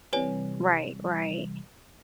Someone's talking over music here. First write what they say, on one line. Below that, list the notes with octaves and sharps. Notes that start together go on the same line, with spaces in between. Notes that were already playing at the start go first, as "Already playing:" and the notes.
Right, right,
C3 E3 G3 B4 C#5 G#5